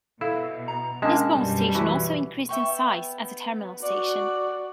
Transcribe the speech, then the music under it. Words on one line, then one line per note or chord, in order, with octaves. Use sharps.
Eastbourne station also increased in size as a terminal station.
B2 E4 A4 F5
A#5
G#3 A#3 C#4 D4 D#5 A5
F#2 B2 G3
E3 E4 F#4 B4
B3 E5 G5 C#6
F#4 D5